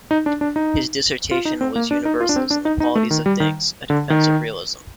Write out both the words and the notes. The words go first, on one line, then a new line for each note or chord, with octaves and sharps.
His dissertation was Universals and the Qualities of Things: A defense of Realism.
D#4
D4
D4
D#4
F4
D#4
C4
A#3
D4
D#4
F4
D4
C4
D4
D#4
D#4
A3
D#3
G3
D#3
D3
D#3